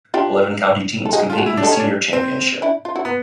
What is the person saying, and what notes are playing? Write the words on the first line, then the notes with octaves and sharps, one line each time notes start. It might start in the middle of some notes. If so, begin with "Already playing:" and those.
Eleven county teams compete in the Senior Championship.
D4 F4 G4
A4
D#4 F#4 G#4
F4
A4
F#4 G#4
E4
D4
D#4 G4 A4
C#4
D4
C4
D4 E4
F4
E4 F#4
B3